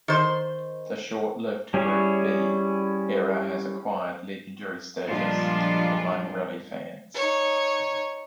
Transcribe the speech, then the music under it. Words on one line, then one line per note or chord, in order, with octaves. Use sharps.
The short-lived Group B era has acquired legendary status among rally fans.
D#3 C5
G3 C#4 E4 G#4 C#5
A#2 F3 G3 G#3 D4 F4
D#4 C#5